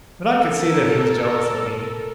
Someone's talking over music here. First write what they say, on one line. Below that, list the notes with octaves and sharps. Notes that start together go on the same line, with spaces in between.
But I could see that he was jealous of me.
A4 A#4